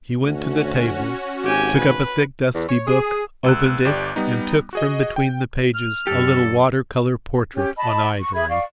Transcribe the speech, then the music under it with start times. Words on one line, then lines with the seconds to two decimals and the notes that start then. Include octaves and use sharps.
He went to the table, took up a thick dusty book, opened it and took from between the pages a little water-colour portrait on ivory.
0.23 D2 C#4 F#4
1.44 G#1 G4 G#5
1.77 B4
2.54 E2
2.69 C#5
2.87 G#4
3.44 C#2 E6 F#6
3.85 G1 G4 D5
4.16 G3 B3 D#4
4.73 F#4 G#4 D#5
5.16 G5
5.75 F6
6.07 F#2 D3 G4 A4
7.55 C#4 G4
7.77 D#5 A5 B5
8.20 C#6
8.34 G#4 E5 B5 G#6
8.49 D5 F5 C#6